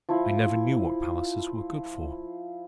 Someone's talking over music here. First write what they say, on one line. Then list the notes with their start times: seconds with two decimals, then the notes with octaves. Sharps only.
I never knew what palaces were good for.
0.09 F3 E4